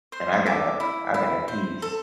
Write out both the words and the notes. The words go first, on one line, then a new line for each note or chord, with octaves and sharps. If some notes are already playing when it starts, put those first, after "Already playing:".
and I got a I got a piece.
C5 C6
A4 D6
E4
E4
C5
A4